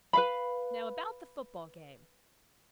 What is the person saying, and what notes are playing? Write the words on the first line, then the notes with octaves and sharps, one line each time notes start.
Now about the football game.
B4 F5 B5